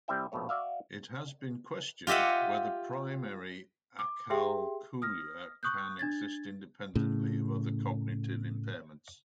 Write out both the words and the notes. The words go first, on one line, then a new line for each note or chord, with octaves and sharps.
It has been questioned whether primary acalculia can exist independently of other cognitive impairments.
C2 G3 C4 E4 E5 G5
A#1 F2 B2 A3 C#5
F#4 D5 E5 F5
F4 G4 D#5 E5 F#5
D6
G4 G#4 E5 G5 C6
D#6 F6 A#6
C#6 D#6 F#6 G6
D4 G#6 A6
A2 C#3